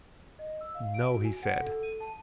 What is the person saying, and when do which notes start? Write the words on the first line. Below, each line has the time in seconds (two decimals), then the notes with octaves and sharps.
"No!" he said.
0.39 D#5
0.61 E6
0.75 F5
0.94 D7
1.11 F#4
1.25 G#5
1.43 F#5
1.61 A4
1.83 D#7
2.00 A5